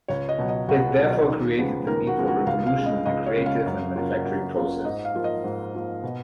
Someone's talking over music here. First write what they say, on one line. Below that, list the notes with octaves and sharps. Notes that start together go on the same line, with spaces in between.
It therefore created the need for a revolution in the creative and manufacturing process.
C#2 C#5
D#5
B2 F#3
D#5
C#2 F#4
B2 F#3
D#2
C#3 F3 G#3 B3
D#2 A#4
F#4
C#3 F3 G#3 B3
F#4
C#2 F5
F5
C#3 G#3
D#5
C#2 D#5
C#5
C#3 G#3
F5
F#2
C#3 F#3 A#3 F4
F#2
C#3 F#3 A#3 F4
G#2 D#5
F5
F3 A#3 F4
D#5
G#2
F3 A#3 F4
B2